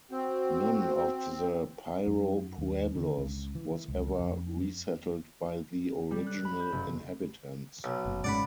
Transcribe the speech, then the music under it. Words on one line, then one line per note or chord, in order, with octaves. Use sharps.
None of the Piro pueblos was ever resettled by the original inhabitants.
C4 F#4
F#2
D#2
D3
C#2
E3
C#2
F2
G3
F#6
B5
G6
F#1
B1
F#1
G#2 C#3 D5 F#5 B5